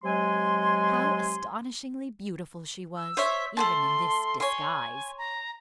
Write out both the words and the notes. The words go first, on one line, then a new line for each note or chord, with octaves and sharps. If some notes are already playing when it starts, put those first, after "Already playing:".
How astonishingly beautiful she was, even in this disguise!
C3 F#3 G#3 G#5 C6
E6
C5 C#5 E5
A3 A#3 A5 C6
C#5 G#5 C6
A#5